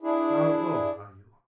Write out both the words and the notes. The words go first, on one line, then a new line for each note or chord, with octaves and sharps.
"How old are you?"
D4 E4 G#4